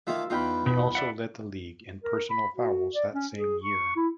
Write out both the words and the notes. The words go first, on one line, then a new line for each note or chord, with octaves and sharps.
He also led the league in personal fouls that same year.
D#3 A3 A#3 F4 E5
E2 D#3 F4 G5 B5
B2 B5
D5 E5 F#5
A#4
B5
F#4
D5
C#4
G#4
C#6
E4